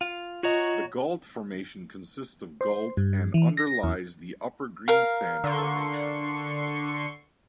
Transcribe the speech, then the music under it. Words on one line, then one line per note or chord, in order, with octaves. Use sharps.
The Gault Formation consists of gault and underlies the Upper Greensand Formation.
F4
F4 F#4 C#5 D#5 A#5
C5
G2
E3
A#6
E2
A#4 F5
D3 C6 C#6